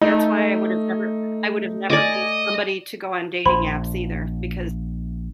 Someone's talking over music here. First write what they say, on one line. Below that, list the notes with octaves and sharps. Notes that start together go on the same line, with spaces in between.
That's why I would've never I would've never been somebody to go on dating apps either because
A3 D#4
D5 D#5 G#5 D6
A#1 C5 B5 C6